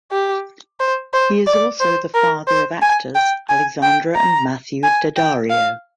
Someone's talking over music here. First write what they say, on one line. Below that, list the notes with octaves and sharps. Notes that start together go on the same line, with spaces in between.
He is also the father of actors Alexandra and Matthew Daddario.
G4
C5
C5
D5
C5
A#4
C5
G#5
G5
G#5
G5
A#5
G#5
G5
F5